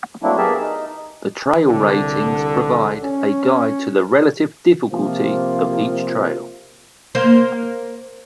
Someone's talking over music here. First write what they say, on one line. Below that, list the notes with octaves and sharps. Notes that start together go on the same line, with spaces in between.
The trail ratings provide a guide to the relative difficulty of each trail.
F#3 A3 A#3 C4 D4 E4
B3 G4 G#4 A#4 E5 A5
D#4
C2 D3
C#4
C3 F3 A#3 F4
A#3 C5